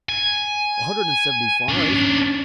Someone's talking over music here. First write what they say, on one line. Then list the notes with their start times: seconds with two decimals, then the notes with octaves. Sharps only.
"A hundred and seventy-five."
0.09 G#5
1.69 C#4 D4